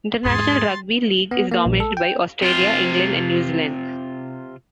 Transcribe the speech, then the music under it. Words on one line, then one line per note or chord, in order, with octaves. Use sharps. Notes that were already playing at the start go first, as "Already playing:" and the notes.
International Rugby League is dominated by Australia, England and New Zealand.
E2 G#2 G#4 C6 A6
B3
A#3
A#1
A4
G5
C3 F4